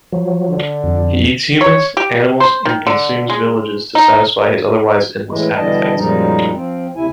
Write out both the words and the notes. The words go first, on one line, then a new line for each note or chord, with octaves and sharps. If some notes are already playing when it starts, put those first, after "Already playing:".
He eats humans, animals and consumes villages to satisfy his otherwise endless appetite.
F3 F#3
D3
F2
C#5
G4
C5
D#3
D3
G#3
D#4
A2 E3 G#3
B2 D3 E3 G3 D#5 A5
F#2 A#2 F3 G3 G#3 D#4
F3 C4
D2 C3 E4 G#5